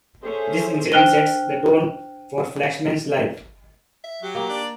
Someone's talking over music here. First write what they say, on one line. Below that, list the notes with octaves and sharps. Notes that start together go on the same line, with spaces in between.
This incident sets the tone for Flashman's life.
C#4 G#4 A4 C5 E5
D4 C5 G5 F6 F#6 G7
E5
F#3 G4
A#3 G4
D4